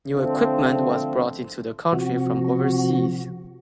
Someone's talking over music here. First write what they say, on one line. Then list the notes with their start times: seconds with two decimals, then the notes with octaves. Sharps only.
New equipment was brought into the country from overseas.
0.12 D3 F3 A3 C4
1.93 C3 F3 F#4